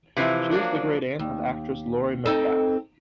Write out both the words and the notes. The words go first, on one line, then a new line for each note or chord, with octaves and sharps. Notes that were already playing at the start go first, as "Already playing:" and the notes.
She was the great-aunt of actress Laurie Metcalf.
C3 E3 F3 E4
F3 F#3 G#3 A#3 D4
D#2
C4 D#4 A4